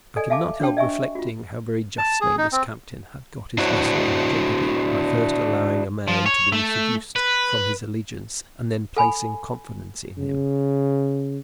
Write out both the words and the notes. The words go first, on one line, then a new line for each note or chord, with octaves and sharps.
I could not help reflecting how very justly this captain had got his vessel into jeopardy by first allowing a man to be seduced from his allegiance, and then placing confidence in him.
A4 D5 D#5 G#5
E5 F5 G#5 A5 C6 D6
D4 F#4 C#5 G5 A5
D#5 E5 G#5 C#6
F4 F#4
A5
G#4
D#4
C4
D4 E4 F#4 C5 C#5
F3
C#5
A3
B4
A4 G#5 B5
C#3